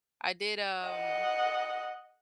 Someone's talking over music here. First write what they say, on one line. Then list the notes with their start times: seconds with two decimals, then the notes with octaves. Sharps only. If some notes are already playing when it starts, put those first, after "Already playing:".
I did, um
0.86 D#5 F#5